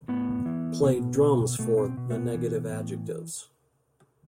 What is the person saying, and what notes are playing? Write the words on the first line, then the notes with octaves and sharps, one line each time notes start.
Played drums for "The Negative Adjectives".
A2 B3
E3
B2
B2
B2 A3
C4
B2
A3
B3
E3
A2